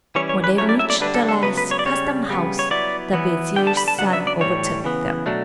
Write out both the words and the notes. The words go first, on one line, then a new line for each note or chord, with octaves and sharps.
When they reached the last custom-house the vizier's son overtook them.
E3 G3 C#4 E4 C#5
C#5
B4
F#3 A3 C#4 E4 C#5
D5
E5
D5
D3 G3 D4 B4
A4
A4
C#3 F#3 B3 B4
B4
C#5
D5
C#3 G3 C#4 C#5
C#3 G3 B3
C#5
F#3 B3 E4 D5
E3 B3 E4
D3 G3 B3 D4 G5
A5
B5
A5
C#3 F#3 B3 D4 F#5
E5
D5
A2 E3 G3 C#5
C#3 E3 B3
B2 F#3 A3 D4